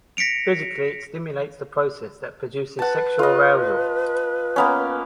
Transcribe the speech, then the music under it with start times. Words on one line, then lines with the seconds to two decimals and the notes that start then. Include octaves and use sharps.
Physically, it stimulates the process that produces sexual arousal.
0.17 A#6 B6 C#7 D7 F7
2.79 B4 F#5 A5
3.19 F4 D#5
4.56 A#3 B3 C#4